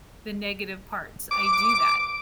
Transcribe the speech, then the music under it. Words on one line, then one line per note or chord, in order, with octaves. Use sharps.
the negative parts, I do that.
D6